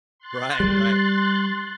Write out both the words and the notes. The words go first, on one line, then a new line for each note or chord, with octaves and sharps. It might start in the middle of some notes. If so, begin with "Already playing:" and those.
Right, right.
C6 F#6 A6
G3